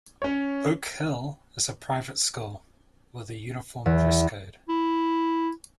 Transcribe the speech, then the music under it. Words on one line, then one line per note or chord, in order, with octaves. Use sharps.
Oak Hill is a private school with a uniform dress code.
C#4 C#5
E2
E4